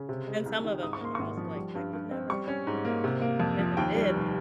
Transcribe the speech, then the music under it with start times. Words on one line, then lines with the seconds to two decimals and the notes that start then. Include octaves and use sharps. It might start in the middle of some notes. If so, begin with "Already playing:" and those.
And some of them are also like, "That could never happen in real life." And if it did, like,
Already playing: C#3
0.09 C3
0.28 G#3
0.46 C2
0.64 D#3
0.82 G#2 D#6
0.93 C#6
1.01 A#3 C6
1.15 G#1 C#6
1.37 F3
1.56 G3
1.75 G2
1.93 G2
2.11 C4
2.30 G3 C#6
2.48 C#4
2.67 G#2
2.85 A#3
3.04 C3
3.22 A#3
3.40 F2
3.59 F3
3.77 D#2 G5
3.95 G3
4.14 F1